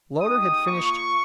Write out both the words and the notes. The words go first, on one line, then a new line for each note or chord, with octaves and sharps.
Loder had finished.
G#3 D#4 G4 D#6
A#3 F4 C#6